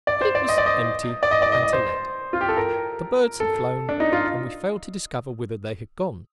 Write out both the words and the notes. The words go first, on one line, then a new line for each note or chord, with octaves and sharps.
But it was empty and to let. The birds had flown, and we failed to discover whither they had gone.
D5
C5
D5
D#5
D5
D#5
D5
D#5
D5
D#5
D#5
C5
F4
G4
A4
A#4
A4
D4
D#4
F4